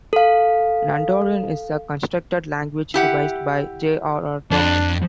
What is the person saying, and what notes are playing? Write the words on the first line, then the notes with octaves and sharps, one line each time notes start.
Nandorin is a constructed language devised by J. R. R. Tolkien.
A4 F5
E4 G4 F#5
F2 D4